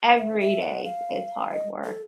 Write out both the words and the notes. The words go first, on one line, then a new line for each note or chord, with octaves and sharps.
every day, it's hard work.
E5
E5
F#5
F5
D#5
A4